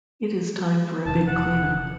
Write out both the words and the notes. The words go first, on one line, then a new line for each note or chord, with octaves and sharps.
It is time for a big clean-up.
E1 C3 F3 A5
F#5